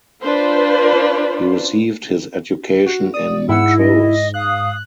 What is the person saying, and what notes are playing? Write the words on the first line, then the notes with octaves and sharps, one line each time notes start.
He received his education in Montrose.
D4 F4 B4 C5
F#4
D5 D#6
G#2 E4 F#5 E6
D#5
F5 D#6 F#6